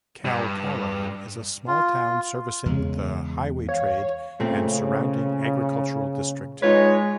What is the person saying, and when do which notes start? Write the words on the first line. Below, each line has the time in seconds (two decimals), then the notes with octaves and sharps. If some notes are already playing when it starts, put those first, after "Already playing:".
Kalkallo is a small town servicing the highway trade and surrounding agricultural district.
0.25 G2
1.67 F4
2.66 E2 C#3 G#3
3.69 C#5 F5
4.40 A#2 C#3 A3 C4
6.62 G#3 D#4 F4 B4 C#5